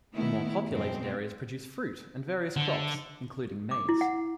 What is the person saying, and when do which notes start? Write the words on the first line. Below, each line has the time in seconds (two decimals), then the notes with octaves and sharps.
The more populated areas produce fruit and various crops, including maize.
0.14 D#3 A3 B3 E4
0.70 F#2 B2 G#3 C4
2.57 D3
3.71 D6
3.89 E4
4.01 F#5